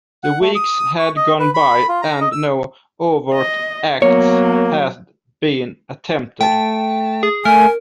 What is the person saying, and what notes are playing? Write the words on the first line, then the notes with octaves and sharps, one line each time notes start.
The weeks had gone by, and no overt acts had been attempted.
F#5
A3
D#6
D#6
C#6
D#5
B4
B5
F4
A#5
D#5
E6
D#5
F#3 A#3 B3 A#4 C#5
A3 G5 A5
G#4
A3 A#4 G#5